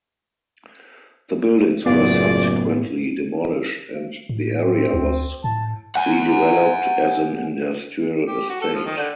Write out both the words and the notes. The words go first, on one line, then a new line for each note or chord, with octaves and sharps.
The buildings were subsequently demolished and the area was redeveloped as an industrial estate.
F#1 A2 B3 F4 G#4 D5
A2
C4
D2
A2 A5
F#5 G#5
G4
F#4
A4
F3
D#3
D3